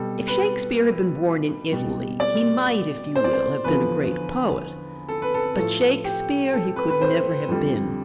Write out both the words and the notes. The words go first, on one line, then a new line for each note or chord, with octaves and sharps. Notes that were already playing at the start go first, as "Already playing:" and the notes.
If Shakespeare had been born in Italy he might, if you will, have been a great poet, but Shakespeare he could never have been.
Already playing: B2 G3 A4
B4
B2 G3
D5
C5
D5
C5
E2 D3 F3 B4
A4
B4
A4
A2 F3 A4
G4
A4
B4
B4
C5
F2 D3 G3